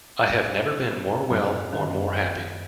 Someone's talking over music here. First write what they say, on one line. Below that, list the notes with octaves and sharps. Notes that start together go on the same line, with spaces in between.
I have never been more well or more happy.
B3
F#2
F#2 D3 D#3
B3